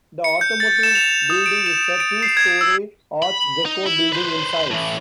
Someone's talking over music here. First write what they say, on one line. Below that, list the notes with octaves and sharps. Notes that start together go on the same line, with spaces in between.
The Automotive Building is a two-storey Art Deco building, in size.
C#7
G6
A6
E7
F7
D#6
D7
E7
D7
C7
G#6
E6
B5
D#4
E4
B4 C5
A2 E3